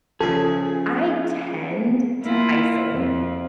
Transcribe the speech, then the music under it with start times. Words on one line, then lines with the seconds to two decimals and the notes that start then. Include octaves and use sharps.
I tend to isolate
0.21 C#3 F3 G#4 A4 E5
2.22 A#3 E4 F4
2.93 F2